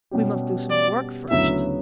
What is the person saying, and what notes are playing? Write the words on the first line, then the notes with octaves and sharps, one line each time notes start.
"We must do some work first."
B2 G3 C#4 G4
D5
D2 C#3 F#3 B3 E4 E5